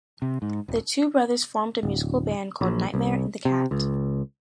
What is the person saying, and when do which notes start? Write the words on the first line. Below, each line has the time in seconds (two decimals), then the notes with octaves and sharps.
The two brothers formed a musical band called Nightmare and The Cat.
0.22 C3
0.42 G#2
0.68 D#1
1.83 D1
2.61 A#1
2.94 C2
3.45 C3
3.71 C#2